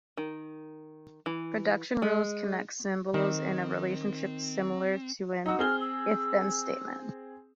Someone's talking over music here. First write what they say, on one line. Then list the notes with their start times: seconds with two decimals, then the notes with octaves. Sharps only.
Production rules connect symbols in a relationship similar to an If-Then statement.
0.17 D#3
1.26 E3
2.02 G#3
3.14 D#3 C4
5.46 D#4 F#4 E6
5.59 C4 G#4 F6 G7
5.80 E6